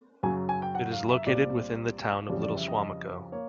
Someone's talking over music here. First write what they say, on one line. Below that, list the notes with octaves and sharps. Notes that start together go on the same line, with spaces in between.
It is located within the town of Little Suamico.
F#2 C#3 F#3 G#5
G#5
G5
F#5
F5
E5
C2 A#2 G3 C4 D5
F2 C#3 E3 G3 D5
D5
E5
D#5
A#3 C#5